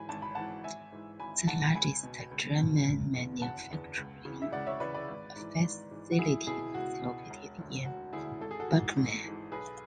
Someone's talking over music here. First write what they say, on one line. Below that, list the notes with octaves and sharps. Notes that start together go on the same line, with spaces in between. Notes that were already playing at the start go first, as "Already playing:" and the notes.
The largest German manufacturing facility was located in Bergkamen.
Already playing: G#2 E3 G#5 B5
G#1 A5
B5
G#2 E3 F#5 A5
G#1 E5 G#5
G#2 E3
G#1 G#5 B5
G#2 E3 F#5 A5
C#2 G#5 B5
B2
C#2
B2
F#1
E2
D3
F#1 F#5 A5
E2 D3
C#2
C#3 E3
E5
C#2 D5 F#5
C#5 E5
C#3 E3 B4 D5
B4 D5
G#1
G#2 E3
G#1
G#2 E3
F#4
C#2 E4 G#4
B2 E4 G#4
C#2 F#4
B2
E1
D2 D3
E1 F#4
D2 D3 E4 G#4
G#1 A4
G#4
F#4 A4
G#2 E3
G#1
G#2 E3
B1 G#4 B4